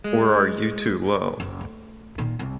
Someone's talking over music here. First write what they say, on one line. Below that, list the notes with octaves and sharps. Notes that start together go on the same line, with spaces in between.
Or are you too low?
G#3
F#1
A3
A#2 D#3
C2